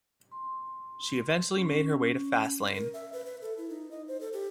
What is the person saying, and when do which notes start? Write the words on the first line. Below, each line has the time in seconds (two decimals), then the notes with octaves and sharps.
She eventually made her way to Faslane.
0.32 C6
1.56 C#4
2.75 A#4
2.94 E5
3.13 B4
3.26 B4
3.42 A4
3.58 E4
3.70 D#4
3.91 D#5
4.08 C5
4.21 A4
4.33 G4